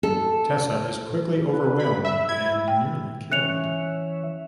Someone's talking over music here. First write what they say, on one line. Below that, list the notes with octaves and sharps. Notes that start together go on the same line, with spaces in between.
Tessa is quickly overwhelmed and nearly killed.
A4
B4
B5
E5
E4 G#6
G5
E3 C#4 C#5 E5 F#6 C#7 F7